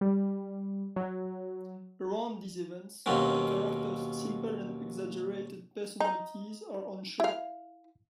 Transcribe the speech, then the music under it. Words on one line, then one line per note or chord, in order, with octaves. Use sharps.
Around these events, the characters' simple and exaggerated personalities are on show.
G3
F#3
D#2 B2 F#3 A#3 C4 C#4
D#4
E4 F5